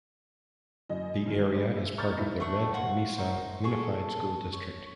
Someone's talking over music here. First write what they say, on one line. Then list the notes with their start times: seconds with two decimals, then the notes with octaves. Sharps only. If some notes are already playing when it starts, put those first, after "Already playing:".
The area is a part of the Red Mesa Unified School District.
0.90 F#2 D#5
1.26 G#2 D#3 F#3 G#3
1.54 G3 G#4 C5
1.76 E5
1.98 A#5 B5 C#6 F6 G6 A6
2.17 E2 D#4 E5
2.40 A3 D4 F#5 C#6
2.74 F4 F#4 F#5
3.18 C4 D#4 F#4
3.64 G#4 A4 C#6
4.53 C#5